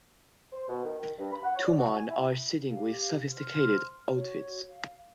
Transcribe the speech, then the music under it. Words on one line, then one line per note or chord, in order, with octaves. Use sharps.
Two man are sitting with sophisticated outfits.
C5
B2
D#3
D#3
G2
B5
F#5
C#5
D5
F#4
G#5
E4
G4 F5
C5 C6 F6
F#4 C#5
F5